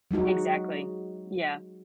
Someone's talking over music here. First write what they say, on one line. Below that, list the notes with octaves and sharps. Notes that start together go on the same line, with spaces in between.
Exactly, yeah.
F#3 G#3 D#4 F#4